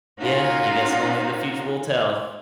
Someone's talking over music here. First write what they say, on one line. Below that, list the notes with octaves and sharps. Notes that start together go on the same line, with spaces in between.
Yeah, I guess only the future will tell.
A#3 C#4 D#4 F4 F#4